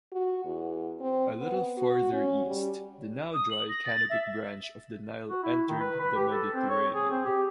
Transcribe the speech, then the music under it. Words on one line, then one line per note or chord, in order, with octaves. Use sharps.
A little farther east, the now-dry Canopic branch of the Nile entered the Mediterranean.
F#4
E2
C4
B3
F#4
C#4
G3
D#6
F#7
A#6
A6
E5
F#4
E4
D#3
B4
B4
G4
A4
C4
C#5
G#4
C4
G4